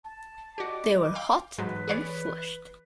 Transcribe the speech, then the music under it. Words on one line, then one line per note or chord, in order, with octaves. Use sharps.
They were hot and flushed.
A5
F#4 G4 D5 D#5 D6
F5 G5
G#2 E3 F#3 B4
G#4 C#5 D5